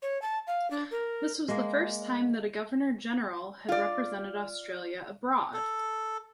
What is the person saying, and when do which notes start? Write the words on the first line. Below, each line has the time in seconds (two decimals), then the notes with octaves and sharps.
This was the first time that a Governor-General had represented Australia abroad.
0.02 C#5
0.22 A5
0.47 F5
0.71 D4
0.91 A#4
1.48 G#3 A#3
3.69 F4 D5
5.54 A4